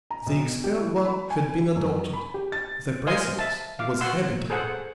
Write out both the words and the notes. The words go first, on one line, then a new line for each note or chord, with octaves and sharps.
The expelled one had been adopted; the precipice was habitable.
A#5
B1
B2
G4
E4
B5
G#5
F#2
B5
G4
A6
A#4 C5 D#5 F5 G#5 C6
E5 A5
F5 D6
F#4 F#5 C6 E6
G#4 A4 C5 F#5